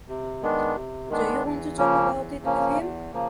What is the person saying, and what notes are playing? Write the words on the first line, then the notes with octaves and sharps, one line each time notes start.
Do you want to talk about it with him?
C3
D#3 G#3 B3 D4
C3
D#3 G#3 B3 D4
E2
C#3 F3 A#3 C#4
E2
C#3 F3 A#3 C#4
E2
C#3 F3 A#3